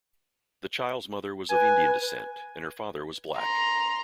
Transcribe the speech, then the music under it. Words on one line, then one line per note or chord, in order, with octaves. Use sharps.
The child's mother was of Indian descent and her father was black.
B4 G#5
A#5 C6